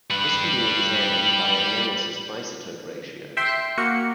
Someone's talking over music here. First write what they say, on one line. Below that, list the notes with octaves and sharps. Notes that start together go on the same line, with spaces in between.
This can be examined by analysis of isotope ratios.
G3 B4 F#7
E5 G5 C6
A#3 F#4 C#7